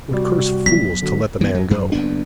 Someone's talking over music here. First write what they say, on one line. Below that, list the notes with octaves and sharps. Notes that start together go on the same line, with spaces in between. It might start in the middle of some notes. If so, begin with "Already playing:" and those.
'What cursed fools to let the man go!
C3 G3 F#4
F#3 B3 B6
D3 F#4
E3 B3
F#3
F#2
F#1 F2 B3 D4